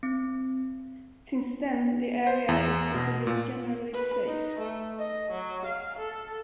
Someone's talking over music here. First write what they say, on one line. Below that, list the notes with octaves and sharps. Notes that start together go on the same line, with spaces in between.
Since then, the area is considered generally safe.
C4
C5
E2
B2
A#2
B4
D#4
A3
D#5
F#3
F5
A4